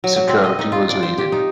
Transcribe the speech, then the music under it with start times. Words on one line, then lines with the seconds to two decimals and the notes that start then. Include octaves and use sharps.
Security was needed.
0.04 F#3
0.16 F#3
0.29 C4
0.44 D#5
0.59 D#4
0.72 F4
0.89 D5
1.03 C5
1.18 G4
1.32 D#4